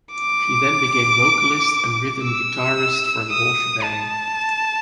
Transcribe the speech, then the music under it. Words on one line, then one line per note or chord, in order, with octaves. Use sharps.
She then became vocalist and rhythm guitarist for The Whole Shebang.
D6
E6
D#6
A5